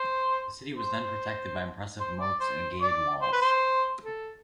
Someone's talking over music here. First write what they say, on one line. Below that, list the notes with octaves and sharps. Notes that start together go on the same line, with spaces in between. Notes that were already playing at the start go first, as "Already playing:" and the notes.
The city was then protected by impressive moats and gated walls.
Already playing: C5
C5
C5
D5
C5
D5
C5
B4
C5
A4